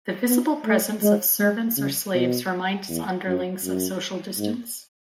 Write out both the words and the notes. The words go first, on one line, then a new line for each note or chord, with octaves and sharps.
The visible presence of servants or slaves reminds underlings of social distance.
B3
A3
G#3
G#3
C#3
B2
E2
F#2
F#2
G#2